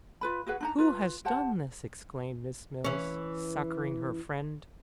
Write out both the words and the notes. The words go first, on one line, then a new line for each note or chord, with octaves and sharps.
'Who has done this?' exclaimed Miss Mills, succouring her friend.
F4 B4 B5
F#4 G#4 B4 F#5
D4 D#4 A#5
F4 B4
G4 C5 F#5 A5
E3 C#4